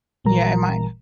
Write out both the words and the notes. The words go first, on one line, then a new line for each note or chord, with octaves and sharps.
Yeah, it might.
G#1 A#2 E3 G3 A#4 A#5